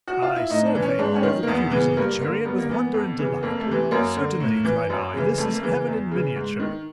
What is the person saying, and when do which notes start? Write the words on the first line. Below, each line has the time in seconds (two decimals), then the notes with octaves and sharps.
I surveyed all the beauties of the chariot with wonder and delight. "Certainly," cried I, "this is heaven in miniature!"
0.08 F#4
0.22 F4
0.36 E4
0.50 A2 D#4
0.66 D4
0.75 E3
0.82 C#4
0.99 G#2 D4
1.16 C#4
1.23 D#3
1.43 A#3
1.47 E2 B3
1.71 C#3 E3
1.97 G2 A#3
2.20 D3 A#3
2.45 G2 B3
2.58 A#3
2.69 E3 B3
2.94 F2
3.19 C#3 E3
3.43 F2 A#3
3.60 A3
3.67 C3 E3
3.91 F#2 A#3
4.17 D3
4.40 A2
4.64 E3
4.90 F#2
5.13 C#3 E3
5.37 F2 A3
5.54 A#3
5.63 C#3 E3
5.87 E2
6.11 C#3 E3
6.36 G#2
6.60 D#3